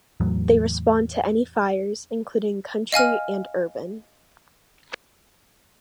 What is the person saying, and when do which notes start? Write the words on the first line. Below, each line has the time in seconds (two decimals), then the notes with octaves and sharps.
They respond to any fires including country and urban.
0.20 E2 A2 F#3
2.92 D#5 F5 G#5 F6